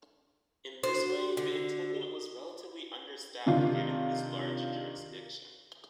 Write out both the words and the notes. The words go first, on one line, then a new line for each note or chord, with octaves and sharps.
In this way, the Intendant was relatively understaffed given his large jurisdiction.
D4 F#4 A4 C5
D3
C3 D#3 D4 F4